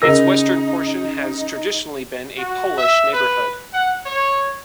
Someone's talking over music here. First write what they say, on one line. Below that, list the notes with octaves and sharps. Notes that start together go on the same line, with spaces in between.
Its western portion has traditionally been a Polish neighborhood.
C#3 D#4 A#4 D#5 E6 A#6
F#4
E5
B4
F#5
C#5